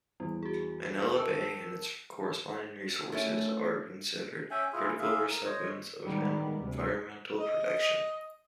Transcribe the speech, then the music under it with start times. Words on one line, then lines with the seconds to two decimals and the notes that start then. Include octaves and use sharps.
Manila Bay and its corresponding resources are considered critical recipients of environmental protection.
0.20 E2 G3
0.43 F#4 G#4
1.16 A#4 G5 A5 C#6 E6
3.12 A3 C#4 E4
4.51 C#4 E5 G5 G#5
4.73 E4 F4 G#4
4.99 G#4 E5 F5
5.29 A#4
5.45 C5 C#5 D#5
6.04 A2 D#3 G3 G#3 B3
6.60 D2 C3
7.40 D#5